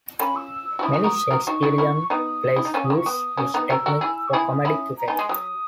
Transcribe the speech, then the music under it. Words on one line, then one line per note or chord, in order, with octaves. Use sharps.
Many Shakespearian plays use this technique for comedic effect.
A#3 C#4 B5
E6
F#4
C#4 E4 D#6
D#4 F#4
F#4 A#4
F#4 A#4
D#4 F#4 C#6
D#4 F#4
C#4 E4
B3 D#4 D#6
E4
D#4
A#3 C#4
D#6
A#3 B5
C#6
B3 D#6
A#3 C#4
B3 D#4
F#4 A#4 E6
F#4 A#4
E4 G#4
C#6
E4 G#4 D#6
C#4 E4
A#5
B3 D#4 G#5
G#3 D#6
F#3 D#6